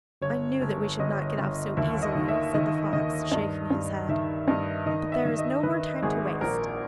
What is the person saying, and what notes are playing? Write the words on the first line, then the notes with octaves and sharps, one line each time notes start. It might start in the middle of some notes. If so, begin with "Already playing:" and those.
'I knew that we should not get off so easily,' said the fox, shaking his head; 'but there is no more time to waste.
G1 C#5
G1
G1 D#5
G1
D#2 E5
D#5
D#3
E5
D#3 D#5
D#3 D#5
G2 D#5
G2
D#3 E5
G2 D#5
D#3 D#5
E5
D#3
D#5
D#3 B4
G#1 G#4
A#1 A#4